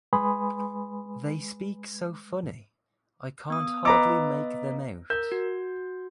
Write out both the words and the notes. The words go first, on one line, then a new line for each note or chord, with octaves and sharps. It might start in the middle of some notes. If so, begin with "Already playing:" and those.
They speak so funny, I can't hardly make them out.
G#3 B4 G#5 B5 C6 D#6
B3 D#6
B3 B4 D#5 A#5 D6
A#4 G6
F#4